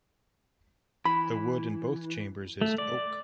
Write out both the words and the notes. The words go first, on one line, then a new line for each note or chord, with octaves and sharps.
The wood in both chambers is oak.
E3 B5
A3
D5